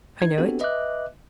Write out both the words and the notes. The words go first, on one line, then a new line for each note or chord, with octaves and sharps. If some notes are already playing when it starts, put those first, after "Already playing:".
"I know it."
D#4 G#6
B3 C4 D4 F#4 G4 A4
B4 D#5 E5 D6 F#6